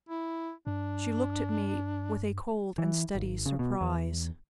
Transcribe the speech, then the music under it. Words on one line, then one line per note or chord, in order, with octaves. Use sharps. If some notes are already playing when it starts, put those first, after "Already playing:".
She looked at me with a cold and steady surprise.
E4
G2 D4
E3
G#1
C#3
B2
E2